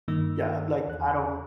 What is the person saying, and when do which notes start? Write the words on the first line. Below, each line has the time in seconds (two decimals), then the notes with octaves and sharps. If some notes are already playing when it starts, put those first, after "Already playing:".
yeah, like, I don't
0.08 G2 D#3 A#3 D#4 E6
0.87 E2 F#6